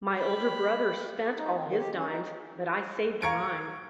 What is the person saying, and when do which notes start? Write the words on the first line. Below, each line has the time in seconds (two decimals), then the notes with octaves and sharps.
My older brother spent all his dimes but I saved mine.
0.14 G4 B5
1.36 D#4
1.54 C4
1.66 D#3
1.78 G4
1.95 C#4
2.08 D#4
3.22 F5 A#5 C#6 G#6 C#7 D7